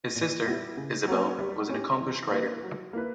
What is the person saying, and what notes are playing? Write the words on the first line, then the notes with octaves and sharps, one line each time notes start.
His sister, Isabel, was an accomplished writer.
A#2
G3 B3 E4
C#3
F#3 A#3 C#4
G3
C#4 G4
E3
A#3 E4 B4
F#3
A#3 E4 B4